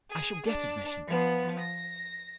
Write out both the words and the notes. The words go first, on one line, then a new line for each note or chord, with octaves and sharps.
"I shall get admission."
G#4
D4
F3 B3
A#6